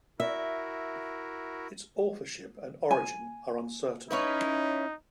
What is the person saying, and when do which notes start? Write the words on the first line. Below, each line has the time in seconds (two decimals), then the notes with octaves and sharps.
Its authorship and origin are uncertain.
0.20 E4 F#4 A#4 E5
2.91 G#5
4.11 C#4 D#4 E4 B4